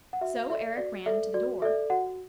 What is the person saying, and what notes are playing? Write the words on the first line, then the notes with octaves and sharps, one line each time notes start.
So Eric ran to the door.
F#5
F#4 E5
A4 D5 E5
F#4 D5
A4 D5 E5
F#4 D5
A4 D5 E5
F#4 F#5